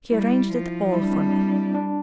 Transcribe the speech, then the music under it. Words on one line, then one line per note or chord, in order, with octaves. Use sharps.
She arranged it all for me.
G3 E4
F3
G3 E4
D4
C4
D4
D4